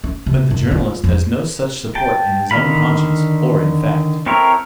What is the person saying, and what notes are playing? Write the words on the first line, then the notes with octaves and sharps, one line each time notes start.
But the journalist has no such support in his own conscience or in fact.
C#4
C3
F#2
F4
F2
G5 A5
D3 D#3 F5 B5
C4 E4 A4 A#4 C#5